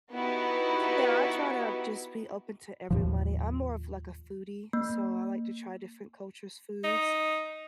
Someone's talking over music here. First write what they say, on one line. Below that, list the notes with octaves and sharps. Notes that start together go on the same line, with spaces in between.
Yeah, I try to just be open to everybody, I'm more of, like, a foodie, so I like to try different cultures' foods,
B3 D#4 E4 F#4 G4 B4
D#2 A2 F3
A#3
D#4